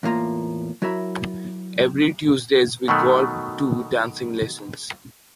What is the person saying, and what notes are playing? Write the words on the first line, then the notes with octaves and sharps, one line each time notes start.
Every Tuesdays we go to dancing lessons.
E2 A2 A#3 F4 A#5
F#3 E4 A#4 E5 B5
B2 D#3 F#3 A3